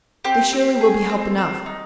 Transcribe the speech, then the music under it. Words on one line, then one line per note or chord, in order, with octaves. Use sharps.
"They surely will be help enough."
C4 G4 G5
C4
G#4
C4
C4
D#4